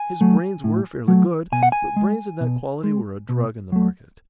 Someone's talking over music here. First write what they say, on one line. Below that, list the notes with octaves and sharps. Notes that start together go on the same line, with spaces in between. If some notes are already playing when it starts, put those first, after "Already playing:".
His brains were fairly good, but brains of that quality were a drug in the market.
Already playing: G#5
F#3 A3
A2
F#3 A3
B2 G#5
F#5
G#5
G#3
B2
G#3
B2
F#3 A3